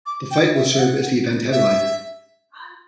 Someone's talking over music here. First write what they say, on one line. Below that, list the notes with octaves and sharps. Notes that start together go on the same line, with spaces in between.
The fight will serve as the event headliner.
D6
G5
E5
E5
F#5
E5